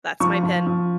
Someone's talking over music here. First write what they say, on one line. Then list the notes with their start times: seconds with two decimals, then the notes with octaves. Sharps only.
That's my pin."
0.20 F3 C#6
0.43 F3
0.67 F3